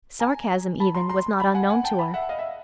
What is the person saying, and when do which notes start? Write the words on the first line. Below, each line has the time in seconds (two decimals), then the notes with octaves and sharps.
Sarcasm, even, was not unknown to her.
0.20 G#5 A#5
0.80 A5 B5
0.95 A#5 C6
1.09 A#5 C6
1.40 A5 B5
1.54 F#5 G#5
1.70 F#5 G#5
1.84 G5 A5
1.99 A5 B5
2.14 E5 F#5
2.29 D#5 F5
2.39 E5